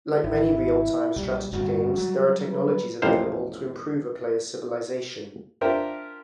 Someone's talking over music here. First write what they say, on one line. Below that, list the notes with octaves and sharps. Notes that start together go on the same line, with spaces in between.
Like many real-time strategy games, there are technologies available to improve a player's civilization.
G#1 E4
B1 A#2 G3
D1 G2 A#2 F#4
F#3 G3
B4
A1 F2 C3 C5 F5
D4 F4 G4 A#4 C5 E5